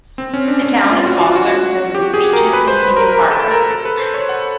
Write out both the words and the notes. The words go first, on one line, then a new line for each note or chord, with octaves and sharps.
The town is popular because of its beaches and scenic harbor.
C4
C#4
D4
C#4
F4
F#4
F4
F#4
G4
G#4
A#4
B4
C5
B4
A#4
A#4
A4
A#4
A4
B4
C5
C#5
F#5